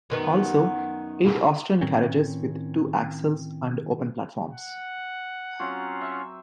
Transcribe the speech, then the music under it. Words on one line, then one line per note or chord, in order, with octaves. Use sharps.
Also eight Austrian carriages with two axles and open platforms.
F#2 D#3 B3
A2 D#3 C4 C#4
F#5
F#3 C4 C#4 F4 F5
E5